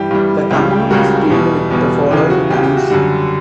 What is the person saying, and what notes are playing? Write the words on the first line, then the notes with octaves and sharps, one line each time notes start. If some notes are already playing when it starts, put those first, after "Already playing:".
The commune is twinned with the following towns.
Already playing: G2 E3 G3 G4
G2 E3 G3
C#2 C#3 G3 G4
G4
C#2 C#3 G3 F#4 A#4
E2 B2 G3
E2 B2 G3
E2 C#3 E3 G4
F#4
E2 C#3 E3 G4
G4
F#4
F#2 D3 G3 F#4